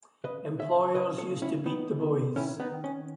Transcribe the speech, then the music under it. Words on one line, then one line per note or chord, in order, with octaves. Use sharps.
Employers used to beat the boys.
C#3 B4 D#5
C#3 C#5 E5
C#3 B4 D#5
A4 C#5
C#3
C#4 E4
D#3 B3 D#4
B3
D#3 C#4 E4
B3 D#4
D#3
C#4